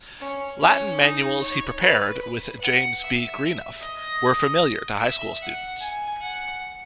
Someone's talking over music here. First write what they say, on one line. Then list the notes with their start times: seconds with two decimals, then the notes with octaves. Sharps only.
Latin manuals he prepared with James B. Greenough were familiar to high school students.
0.20 C#4
0.60 C#4
1.01 D#4
1.40 C#5
1.81 B4
2.20 B4
2.60 F#5
3.01 E5
3.81 D#5
5.00 E5
5.41 F#5
5.81 G#5
6.21 F#5